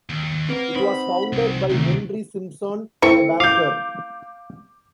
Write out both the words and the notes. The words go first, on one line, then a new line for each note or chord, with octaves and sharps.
It was founded by Henry Simpson, a banker.
D#2
A#3 C4 A#4 B4
C4 D#4 C5 B5
C2
D2 C3 D#3 A3
A3 C4 E4 C#7
F5 D6 G6